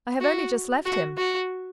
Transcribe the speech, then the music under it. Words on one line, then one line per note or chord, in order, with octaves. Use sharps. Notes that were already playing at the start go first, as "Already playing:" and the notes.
"I have only just left him."
F#4
F#4
F#4